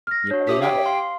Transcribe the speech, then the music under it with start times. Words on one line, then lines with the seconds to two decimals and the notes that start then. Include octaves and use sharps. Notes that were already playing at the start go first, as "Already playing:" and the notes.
Yeah, they got, like,
0.07 F6 A#6
0.31 D4 F#4 C#5
0.47 G4 E5 D#6 B6
0.62 G4 G5
0.86 F5 C6